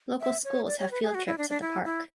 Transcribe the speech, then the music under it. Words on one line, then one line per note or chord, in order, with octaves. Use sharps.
Local schools have field trips at the park.
E5
C#5
D5
C#5
B4
G#4
F#4
E4
D4
D4
E4
E4